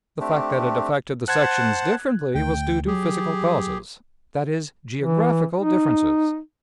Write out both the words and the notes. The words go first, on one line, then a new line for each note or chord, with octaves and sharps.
The fact that it affected the sections differently was due to physical causes--that is, geographical differences.
A3 C4 D4 G4
C5 F#5 A5 F#6 G#6
D2 G5
F#3 G4 G#4
E3
D#4